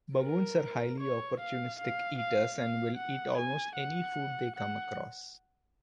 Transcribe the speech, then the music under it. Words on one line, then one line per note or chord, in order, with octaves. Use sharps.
Baboons are highly opportunistic eaters and will eat almost any food they come across.
A#4
C#5
F5
F5
F5
F5
F#5
G#5
F#5
F#5